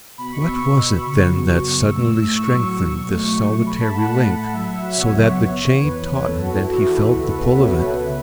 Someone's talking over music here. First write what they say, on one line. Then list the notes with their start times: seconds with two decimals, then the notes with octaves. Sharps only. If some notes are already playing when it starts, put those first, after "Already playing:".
What was it, then, that suddenly strengthened this solitary link so that the chain tautened and he felt the pull of it?
0.18 B2 B5
0.32 B2 C#6
0.47 B3 E6
0.62 B2 C#6
0.75 B2
0.90 B2
1.05 C#3 C#6
1.19 F#3
1.34 B3
1.48 F#2
1.63 C#3
1.78 F#2
1.91 A2 E6
2.06 A2
2.21 A2
2.36 A2 C#6
2.50 F#3
2.64 F#3
2.79 B2
2.94 B2
3.08 A3
3.22 B2
3.37 A3
3.52 A3
3.66 A3 B5
3.80 A3 A5
3.95 A3 F#5
4.05 A5
4.09 A2 F#5
4.24 A3
4.39 A2
4.53 F#3 E5
4.65 F#3 F#5
4.79 F#3 E5
4.97 B2 C#5
5.10 C#2 E5
5.23 B3 C#5
5.40 B3
5.55 B3
5.69 E3
5.84 E2 B4
5.99 B3
6.13 E3
6.20 B4
6.27 B3 A4
6.41 B3 F#4
6.56 B3 E4
6.71 E2 F#4
6.80 B4
6.85 E2 A4
7.00 E2 F#4
7.14 C#2 F#4
7.22 A4
7.29 B2 B4
7.43 C#2 E5
7.58 B3 C#5
7.73 C#2
7.80 B4
7.87 B3
8.02 C#3